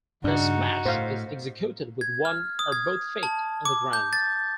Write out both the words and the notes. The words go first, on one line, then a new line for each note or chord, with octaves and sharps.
The smash is executed with one or both feet on the ground.
G2 C#3 D4 D#4 F#4
A2 C5 F5
G#6
F6
D#6
G#6
A5
D6
G6
A6